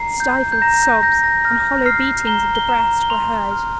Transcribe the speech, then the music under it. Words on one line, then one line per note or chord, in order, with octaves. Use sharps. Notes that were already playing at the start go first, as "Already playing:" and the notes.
Stifled sobs and hollow beatings of the breast were heard.
Already playing: A#5 C7
G6
G6
A#5 A#6
G6
G6 A#6
A#6
F6 A#6
F6 C7
A#5 G7
G7
A#5
G7
C6 F7
F6